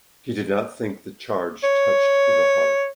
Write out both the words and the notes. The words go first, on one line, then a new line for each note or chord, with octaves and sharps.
He did not think the charge touched the heart.
C#5